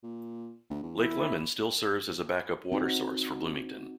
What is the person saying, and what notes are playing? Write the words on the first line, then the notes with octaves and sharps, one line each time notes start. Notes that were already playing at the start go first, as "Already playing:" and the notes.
Lake Lemon still serves as a back-up water source for Bloomington.
A#2
D2
E2
E4
C4 D#4 F#4